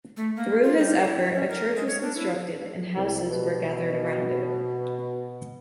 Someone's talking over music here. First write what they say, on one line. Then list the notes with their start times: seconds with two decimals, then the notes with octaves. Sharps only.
Through his effort, a church was constructed and houses were gathered around it.
0.17 A3
0.36 A#3
0.63 F4
0.79 G3
1.03 E4
1.21 C#5
1.34 C#4
1.49 A#4
1.76 G#3
1.87 C#5
2.02 D4
2.16 E4
2.96 C2
3.31 B2